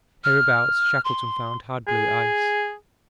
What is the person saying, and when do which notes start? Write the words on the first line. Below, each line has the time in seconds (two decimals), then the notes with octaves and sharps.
Hereabouts Shackleton found hard blue ice.
0.24 F6
1.04 C6
1.88 G#4